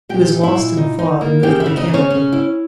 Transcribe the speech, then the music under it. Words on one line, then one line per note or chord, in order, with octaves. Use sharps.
He was lost in thought and moved mechanically.
A#2 G4 G5
D#4
E4 E5
A#2
D#4
D#4
A#3
C#3 G4 G5
E4 E5
C#3
D#4 D#5
C#3
C#4 C#5
C#4
E4